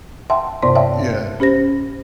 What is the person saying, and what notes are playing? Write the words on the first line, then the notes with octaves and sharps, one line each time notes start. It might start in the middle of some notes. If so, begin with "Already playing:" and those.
y yeah.
E5 F#5 G5 A5 C6
G2 C3 B3 C5 D5 C6
C#5 D5 E5 F5 G5 A5
C#4 G4 C5 A#6